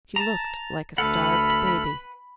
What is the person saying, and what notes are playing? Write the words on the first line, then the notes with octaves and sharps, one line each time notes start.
She looked like a starved baby.
A5 A#5
D2 A4 B4 F#5 B5 F6